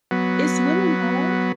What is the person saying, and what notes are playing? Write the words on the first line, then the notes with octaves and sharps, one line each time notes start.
Is swimming hard?
F#3 B3